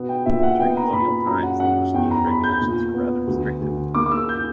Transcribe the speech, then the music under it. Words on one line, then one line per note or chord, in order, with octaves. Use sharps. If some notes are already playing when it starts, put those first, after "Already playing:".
During colonial times, English speech regulations were rather restrictive.
Already playing: B2 B3
G5
A#2 E5
F#5
B3 G5
A#5
A#2 B5
B5
F#2 A#5
F#5
F#2 F#5
E2 G5
A#5
E2 B5
G6
A#2
B3
D2
D2
A#3 D6
D6
E6
G6